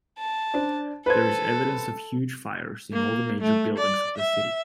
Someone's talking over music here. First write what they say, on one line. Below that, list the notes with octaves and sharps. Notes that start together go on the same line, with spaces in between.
There is evidence of huge fires in all the major buildings of the city.
A5
D4 C5 D5
A4 B4 C5 G#6
A#3
A3
D5
E5